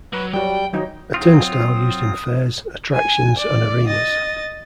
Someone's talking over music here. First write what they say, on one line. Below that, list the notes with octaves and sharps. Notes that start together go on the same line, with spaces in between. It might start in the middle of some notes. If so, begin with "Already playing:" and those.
A turnstile used in fairs, attractions, and arenas.
F#3 B4
F#3 G3 F#4 G5
D#3 F#3 D#4
F#3 C4 F4 D#6
G#5
D5
D#5 A6